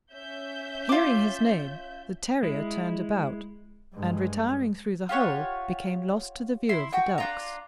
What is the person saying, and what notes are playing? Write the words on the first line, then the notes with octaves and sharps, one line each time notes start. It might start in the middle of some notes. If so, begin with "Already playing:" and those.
Hearing his name, the terrier turned about, and retiring through the hole, became lost to the view of the ducks.
C#4 E5 G6
F4 D6
G#3 E4
G2 G#3
F4 G4 C#5 F#5
E4 C6
F#4 G5
D4 F4 A#5